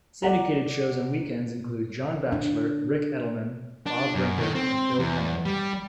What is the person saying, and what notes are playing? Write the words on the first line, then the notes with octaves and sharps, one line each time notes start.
Syndicated shows on weekends include John Batchelor, Ric Edelman, Bob Brinker and Bill Cunningham.
D5 F#5 A#5
D4
D4
F#2
D#3
C4
E2
G3